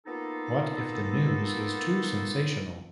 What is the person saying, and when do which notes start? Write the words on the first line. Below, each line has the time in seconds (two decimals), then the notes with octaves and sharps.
What if the news is too sensational?
0.06 A#3 B3 D#4 F4 A4